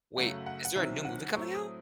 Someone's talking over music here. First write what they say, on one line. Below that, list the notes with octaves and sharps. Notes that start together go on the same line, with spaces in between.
Wait. Is there a new movie coming out?
F#2 C#3 F#3 A3 F#5
F#5
F#5
C2 C3 D#3 F#3 C4 E5
F#5
A2 F#3 A3 C4 E4 C#6
D#6